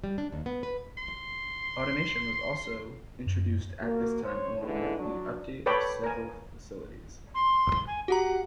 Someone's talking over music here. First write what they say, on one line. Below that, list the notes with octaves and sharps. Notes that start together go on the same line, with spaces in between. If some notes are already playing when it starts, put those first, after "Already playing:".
Automation was also introduced at this time along with the update of several facilities.
G3
D4
D#2
B3
B4
C6
F#2
A#3 F#4 A#4
C5 C#5
A1 E2 G#2 D3 E3
F#3 D4
A4 B4 C#5 D5 G5 B5
A#4 G#5
C6
G#5
F#4 G4 F#5 A#5